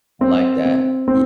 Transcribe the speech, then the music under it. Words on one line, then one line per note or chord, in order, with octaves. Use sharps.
I like that, yeah.
C4
C4
C4